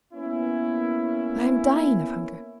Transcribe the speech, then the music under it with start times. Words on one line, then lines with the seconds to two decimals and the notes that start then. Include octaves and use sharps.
But I am dying of hunger.
0.13 A#3 B3 C#4 E4